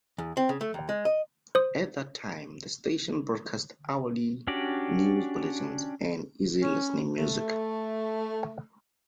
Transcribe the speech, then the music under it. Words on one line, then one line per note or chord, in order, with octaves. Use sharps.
At that time the station broadcast hourly news bulletins and easy listening music.
E2
C4
C#3
A3
D#2
G#3
D#5
C5 D#6
C#4 D4 F#4 G4 D5
C#4
A3